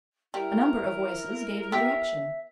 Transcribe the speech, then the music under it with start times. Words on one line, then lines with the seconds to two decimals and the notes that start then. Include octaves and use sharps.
A number of voices gave the direction.
0.34 G3 E4 A#4
1.72 B3 G4 E5